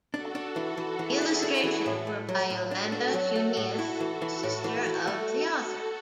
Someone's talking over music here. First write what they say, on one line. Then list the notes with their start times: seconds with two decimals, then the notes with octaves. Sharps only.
The illustrations were by Yolanda Huneeus, a sister of the author.
0.13 D4 F#4 A4
0.35 D4
0.56 E3
0.77 E3
0.99 E3 E4 G#4
1.21 D4
1.43 D4
1.63 E3
1.86 A2
2.07 A3
2.29 F#3
2.50 A2
2.71 D4 F#4 A4
2.92 D4
3.14 F#3
3.36 A3
3.57 A2 F#4 A4
3.79 E4
4.00 E3
4.22 E3
4.43 A2
4.64 E3
4.86 E3
5.07 A3